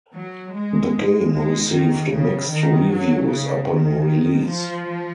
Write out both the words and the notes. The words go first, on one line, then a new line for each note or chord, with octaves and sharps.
The game received mixed reviews upon release.
F#3
G#3
G#3
D#3
C#3
D#3
F#3
C#3
D#3
F3